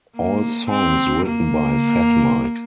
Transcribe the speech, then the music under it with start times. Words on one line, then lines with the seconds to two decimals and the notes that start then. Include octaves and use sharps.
All songs written by Fat Mike.
0.16 A#3
0.70 C4
1.26 A#3